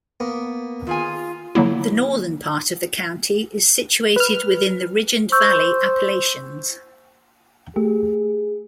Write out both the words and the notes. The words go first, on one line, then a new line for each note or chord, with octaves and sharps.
The northern part of the county is situated within the Ridge-and-Valley Appalachians.
A#3 B3
D#3 F4 G#4 G#5
D3 F#3 A#3 E4
B4 F6
C5 C#6 E6 G6
A3 G4 G#4